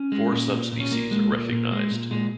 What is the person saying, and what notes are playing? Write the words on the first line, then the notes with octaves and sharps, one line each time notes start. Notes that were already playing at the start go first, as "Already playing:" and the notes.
Four subspecies are recognized.
Already playing: C#4
G#3
A#2
A#2
A#2
C#4
A#2 A#3
G#3
A#2
A#2
G#3
A#2
A#2 G#3